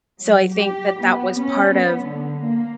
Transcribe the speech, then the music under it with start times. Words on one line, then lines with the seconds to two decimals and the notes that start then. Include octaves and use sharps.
so I think that that was part of
0.18 F#3
0.52 G4
1.01 B3
1.40 C#4
1.73 B3
2.04 D3
2.43 A#3